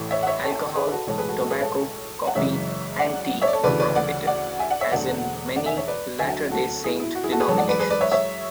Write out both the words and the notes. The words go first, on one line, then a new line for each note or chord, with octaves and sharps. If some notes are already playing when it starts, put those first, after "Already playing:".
Alcohol, tobacco, coffee and tea were prohibited, as in many Latter Day Saint denominations.
Already playing: A1 A2 E3 A3
C#5 E5
F#5
C#5 E5
A4 C#5
G#4 B4
F#4 A4
B1 A2 E3 G#3 A4 C#5
G#4 B4
F#4 A4
F#4 A4
G#4 B4
A4 C#5
F#5
F#1 F#2 C#3 E3 G#3 C#5 E5
D5 F#5
C#5 E5
D5
A4 C#5
D2 C#3 E3 A3 B4 D5
B4 D5
D5 F#5
D5 F#5
E5 G#5
D5 F#5
C#5 E5
E1 E2 D3 F#3 A3 D5 F#5
D5 F#5
E5 G#5
C#5 E5
B4 D5
D2 D3 F#3 A3 E5 G#5
F#4 A4
E4 G#4
E4
F#4
E4 G#4
F#4 A4
G#4 B4
F#2 E3 G#3 A4 C#5
D5 F#5
B4 D5
G#4 B4
B4 D5
C#5 E5
C#5 E5